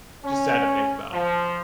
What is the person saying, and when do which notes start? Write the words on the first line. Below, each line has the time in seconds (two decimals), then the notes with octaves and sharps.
just sad to think about.
0.23 C#4
1.11 F3